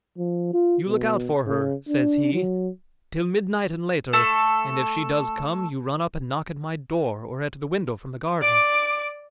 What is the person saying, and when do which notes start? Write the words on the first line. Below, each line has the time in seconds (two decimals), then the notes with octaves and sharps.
You look out for her,' says he, 'till midnight and later; and if she does come, you run up and knock at my door or at the window from the garden.
0.18 F3
0.53 F4
0.88 B2
1.47 C#3
1.88 D4
2.34 F#3
4.13 A3 A4
8.41 D5 D6